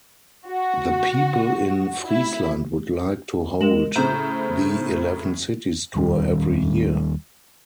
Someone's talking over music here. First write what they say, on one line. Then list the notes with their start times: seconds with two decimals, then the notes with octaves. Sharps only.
The people in Friesland would like to hold the Eleven Cities Tour every year.
0.47 F#4
2.06 E4
3.61 G#3 A#4 E7 F#7
3.96 A2 C#3 C5 A#5
5.95 D#2 D#3 G3